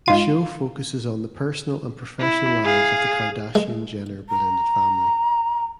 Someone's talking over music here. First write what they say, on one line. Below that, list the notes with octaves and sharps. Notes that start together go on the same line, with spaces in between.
The show focuses on the personal and professional lives of the Kardashian–Jenner blended family.
G#2 F4 D#7
E4
G#4 F5
G#3
A#5